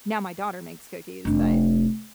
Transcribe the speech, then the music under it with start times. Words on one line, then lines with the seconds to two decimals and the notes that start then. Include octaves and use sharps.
now my daughter makes cookies, but,
1.25 F1 D4